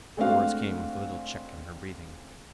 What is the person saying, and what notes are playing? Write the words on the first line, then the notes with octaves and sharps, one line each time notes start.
The words came with a little check in her breathing.
G#3 A3 C4 D4 F#4 F5